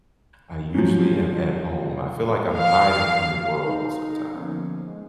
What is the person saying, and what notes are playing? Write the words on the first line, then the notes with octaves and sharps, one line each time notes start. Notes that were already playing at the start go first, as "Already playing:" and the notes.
I usually am at home. I feel like I'm hiding from the world sometimes.
F3 F#3 C#4
F5
D#4
F#2 D3 F3 A#3 B3 C#4
G#3